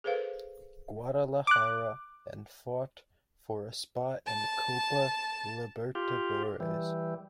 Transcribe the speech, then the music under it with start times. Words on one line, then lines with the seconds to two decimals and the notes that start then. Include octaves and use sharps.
Guadalajara and fought for a spot in Copa Libertadores.
0.04 G#4 A4 B4 C5 F5
1.47 D6 F#6
4.26 A5
5.95 F4 G4
6.60 E3 G3